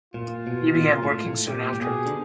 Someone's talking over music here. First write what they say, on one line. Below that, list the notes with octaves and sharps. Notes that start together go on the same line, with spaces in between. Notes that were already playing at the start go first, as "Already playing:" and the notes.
He began working soon after.
A#2 F4
B2
B2
A#2
A2
A2
A#2 G4
A#2
B2 G#4
D3